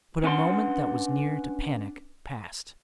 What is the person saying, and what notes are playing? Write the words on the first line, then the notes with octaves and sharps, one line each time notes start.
But a moment that was near to panic passed.
C#4 D4 B4 F#5 A5 C6